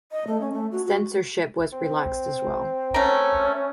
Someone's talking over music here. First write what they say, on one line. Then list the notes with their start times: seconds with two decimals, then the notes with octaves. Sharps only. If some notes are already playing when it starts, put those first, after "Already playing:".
Censorship was relaxed as well.
0.12 D#5
0.27 A3
0.41 C#4
0.53 A3
0.72 F#4
0.86 F#4
1.73 C4
2.94 A3 C#4 A#4